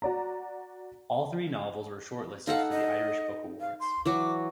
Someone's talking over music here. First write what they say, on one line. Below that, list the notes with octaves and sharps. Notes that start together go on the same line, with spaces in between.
All three novels were shortlisted for the Irish Book Awards.
F#4 D5 A#5
D#4 A4 F5 F#5
D#5
F5
C6
E3 F#3 F#4 D6